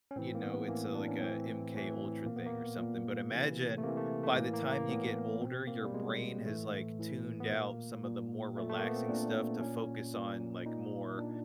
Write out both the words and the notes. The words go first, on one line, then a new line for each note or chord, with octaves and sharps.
you know, it's a like, a MK Ultra thing or something, but imagine by the time you get older, your brain has, like, tuned out some of the more relaxing stuff to focus on, like, more,
C#4
A2 E3 C4
A#3
B3
A2 E3 A#3
D4
C#4
A2 E3 C4
A2 E3
A#2 A#3
B3
A#3
A#2
C3 E3
A3
C3 E3 A#3
A3
A3
A2 E3 A#3
A#3
A#3
A2 E3 B3
B2 C4
A#3
G3
B2 G#3
A2 E3 A3
A2 E3
B3
A#2 A#3
A#2
A#2 A3
A3
A#3
B3
C4
A#2 D4
A#2 C#4
A#2
A#2 D#4
A#2 D4